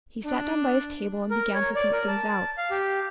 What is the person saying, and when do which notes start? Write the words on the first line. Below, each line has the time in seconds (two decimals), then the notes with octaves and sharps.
He sat down by his table and began to think things out.
0.25 D4
1.31 A#4
1.54 C#5
1.76 D5
1.92 A#4
2.08 A5
2.58 F5
2.71 G4